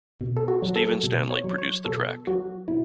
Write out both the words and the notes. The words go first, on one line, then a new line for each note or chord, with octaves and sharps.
Steven Stanley produced the track.
B2
A4
F#4
F#3
A4
B2
C#5
F#3
C#5
B2 A4
F#3 F#4
B2 E4